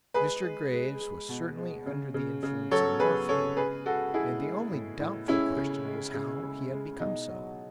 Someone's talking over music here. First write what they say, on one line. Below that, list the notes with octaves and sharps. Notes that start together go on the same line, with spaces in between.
Mr. Graves was certainly under the influence of morphine, and the only doubtful question was how he had become so.
G#3 G#4 B4
G#3
G#3
G#3
B2
G#3
C#3
C#3
C#3
F#3 A4 C#5
F#3 G#4 B4
C#3 A4 C#5
G#3 G#4 B4
G#3 F#4 A4
G#3 E4 G#4
G#3
A2
A2
G#3 C#4 E4
C#3
G#3
C#3
C#3
G#3
B2 D#4
F#3